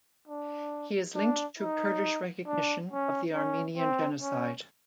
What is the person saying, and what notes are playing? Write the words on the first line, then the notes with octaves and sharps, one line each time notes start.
He is linked to Kurdish recognition of the Armenian genocide.
D4
D4
D#4
D4
C#4
C#4
C4
C#4